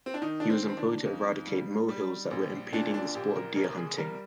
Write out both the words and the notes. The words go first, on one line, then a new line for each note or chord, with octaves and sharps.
He was employed to eradicate molehills that were impeding the sport of deer hunting.
C4
D4
D#3 D#4
D4
C4
D#3 C4
D4
F2 D#4
G3
G3
A#1
A#2 D4
D4
A#1 G4
A#4
C2 A#4
G#4
G3 A#4